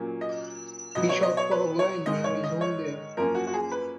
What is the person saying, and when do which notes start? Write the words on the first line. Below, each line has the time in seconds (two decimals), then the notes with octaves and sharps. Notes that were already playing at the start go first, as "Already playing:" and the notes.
He shot "Fog Line" near his home there.
Already playing: A#2 F#3 A#3 C#4
0.21 D#5
0.95 B2 F#3 B3 D#5
1.09 C#5
1.23 D#5
1.37 C#5
1.51 B4
1.79 C#5
2.06 G#2 D#3 G#3 D#5
2.24 C#5
2.44 D#5
2.61 C#5
3.17 F#2 F3 A#3 C#4 A#4
3.35 F#4
3.47 F#4
3.54 G#4
3.72 B4